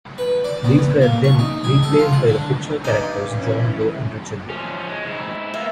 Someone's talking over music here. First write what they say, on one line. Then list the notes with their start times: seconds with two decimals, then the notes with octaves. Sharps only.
These were then replaced by the fictional characters John Doe and Richard Roe.
0.18 B4
0.44 D5
0.65 B3
1.02 A#3
1.24 C#6
1.39 D#4
1.64 G#4
1.83 A4
1.99 F4
2.13 F#5
2.29 D3
2.84 G2 D#4 D5 G#5
3.35 E3 C#4 E4
4.50 F3 C#4
4.88 G#3
5.05 G#2 E4
5.54 A#3 B3 E5